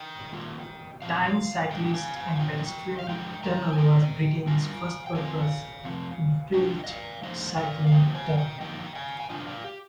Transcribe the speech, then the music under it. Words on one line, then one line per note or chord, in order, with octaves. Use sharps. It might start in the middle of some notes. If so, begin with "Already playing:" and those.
Tyne Cyclist and Pedestrian Tunnel was Britain's first purpose-built cycling tunnel.
Already playing: D#5 G5
D#3 A#3 F4
A#2 F3 C4 F5
A#2 G#3 D4 D#5 G5
G5
F5 G#5
F5 G#5
G#5
A#2 G3 D4 F4 D#5 G5
F5
D3 F3 G#3 D#5 G5
G5 A#5
G#5
D#3 G#3 D#4 G5 A#5
G3 D4 F4 F5 G#5
G5
F3 C4 F4 F5 G#5
C3 F3 C4
C3 F3 G#3 D4 D#5 G5
D#5
D5 F5
F3 A#3 D#4 C5 D#5
D5 F5
F5
C3 F3 A#3 D#5 G5
F5 G#5
D#5 G5
F3 A#3 D#4 D#5 G5
F5 G#5
G#5
C3 G3 D4 F4 D#5 G5
D5 F5
G4